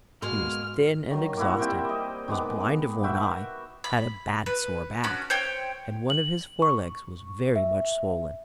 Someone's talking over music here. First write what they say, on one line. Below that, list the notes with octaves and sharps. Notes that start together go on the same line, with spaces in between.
He was thin and exhausted, was blind of one eye, had a bad sore back, and one of his forelegs was very much swollen.
G#2 B2 G#3 A#3 C6 F6
D#3 F#3
A#3 E4 F#4
G3 C4 E5 G5
D#5
D#3 G#3 B3 D6
F#4 E5 G5
B5
B4
C#4 D4 F#4
C5 C#5 G5
F#7
C#6
E5